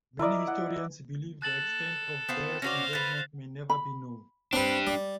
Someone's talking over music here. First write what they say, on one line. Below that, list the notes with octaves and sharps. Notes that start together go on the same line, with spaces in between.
Many historians believe the extent of Burr's involvement may never be known.
E4 A#4 D5 D#5
F#5
A4 F#6 A6 F#7
B3 C4 F4
C#4 F#4 C5 D5 F5 A#6 F7
A4 B4 F#6 A6 B6
B5
C4 D4 G4 B4
G3